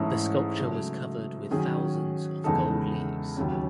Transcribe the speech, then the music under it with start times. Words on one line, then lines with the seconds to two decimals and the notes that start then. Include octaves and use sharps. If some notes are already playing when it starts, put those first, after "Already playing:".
The sculpture was covered with thousands of gold leaves.
Already playing: G#2 E3 A3 C#4 E4
0.59 C#3 F#3 A3
1.51 D#3 F#3 C#4 G#4
2.44 E2 C#3 G#3 D#4 A4
3.37 D#2 C#3 F#3 C#4